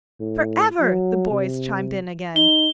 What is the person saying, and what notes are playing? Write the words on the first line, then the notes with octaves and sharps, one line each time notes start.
"For ever!" the boys chimed in again.
A2
F#3
C3
D#4 G7